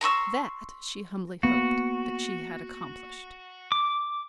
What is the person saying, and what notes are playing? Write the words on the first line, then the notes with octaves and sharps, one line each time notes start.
That she humbly hoped that she had accomplished.
A#5 C6 C#6 E6
A#3 B3 F#4
D6